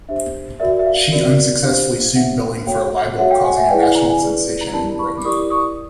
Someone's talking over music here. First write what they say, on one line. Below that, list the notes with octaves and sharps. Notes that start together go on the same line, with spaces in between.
She unsuccessfully sued Billing for libel, causing a national sensation in Britain.
D4 G4 C5 E5
F#4 A#4 D5 E5
E5
F5
F#4 A#4 D5
D4 G4 C5 F5
D4 G4 C5 E5 F#5
F#4 A4 C#5 F5 G5
F#4 A4 C#5 E5 F#5
F5 G5
F#5 G#5
E5 F#5
E4 G#4 B4 D5 F5 G5
F#5 G#5
G#5 A#5
E4 G#4 B4 D5
A#5
E4 G4 A#4 D5 A5 B5
B5 C#6
D6
E4 G4 A#4 D5 C#6 D#6
C#6 D#6